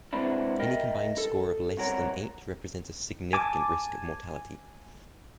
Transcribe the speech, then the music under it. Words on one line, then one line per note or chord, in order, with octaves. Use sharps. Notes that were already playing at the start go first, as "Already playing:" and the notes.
Any combined score of less than eight represents a significant risk of mortality.
C3 G#3 B3 C4 D4 E4
A#4 D#5 E5 G5
A4
C2 B2 F#4 A#4 C#5
G#5 A5 D6